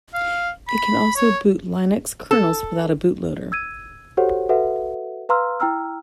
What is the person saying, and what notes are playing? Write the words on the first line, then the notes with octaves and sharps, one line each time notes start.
It can also boot Linux kernels without a bootloader.
F5
B5
C#5
A4
E6 G#6 D#7
F#4 G4 A4 C5 C#5 F#5
F#4 A4 B4 E5 F#5
B4 F5 A#5 C6 E6 F6
E4 G5 A#5 E6 F6